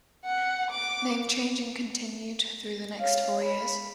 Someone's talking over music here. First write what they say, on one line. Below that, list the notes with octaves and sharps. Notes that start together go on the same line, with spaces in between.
Name changing continued through next four years.
F#5
D6
C#5 F5
B5